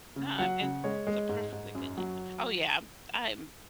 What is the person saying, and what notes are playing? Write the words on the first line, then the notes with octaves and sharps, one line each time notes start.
Na em and s it's a perfectly good yea Oh yeah, I'm I'm
C#3
F#3 F#5
C#3
G#3 C#5
G#3
G#2
G#2
F#2
F#3